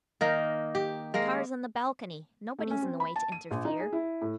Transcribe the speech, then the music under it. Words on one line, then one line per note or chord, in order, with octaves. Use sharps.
The car's on the balcony; nobody's in the way to interfere!
D#3 A#3 D#4
G4
G#3 A#3
A3
C#4
C4
B5
A5
D#7
A#1
D#4
G#4
E4
A2